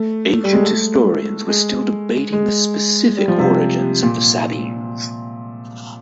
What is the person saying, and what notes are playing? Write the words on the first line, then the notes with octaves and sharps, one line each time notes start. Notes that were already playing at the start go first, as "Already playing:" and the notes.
Ancient historians were still debating the specific origins of the Sabines.
Already playing: A3
G3
G#3
A3
G#3
G#3
G3
F3
C3
A#2